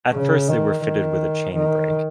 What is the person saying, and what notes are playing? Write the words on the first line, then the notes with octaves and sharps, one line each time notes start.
At first they were fitted with a chain brake.
C#3
D#3
D#3
D#3